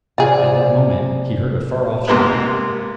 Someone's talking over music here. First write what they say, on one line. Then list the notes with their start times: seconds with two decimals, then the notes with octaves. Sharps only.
At that moment, he heard a far-off shout.
0.18 C3 F4 G#4 D5
2.08 G#2 C3 A#3 B3